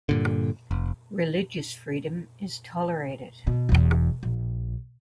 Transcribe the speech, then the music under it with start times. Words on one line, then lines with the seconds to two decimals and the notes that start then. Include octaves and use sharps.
Religious freedom is tolerated.
0.09 G2 A#2 D3
0.71 F1
3.47 B2
3.69 E1 E2
4.23 A#1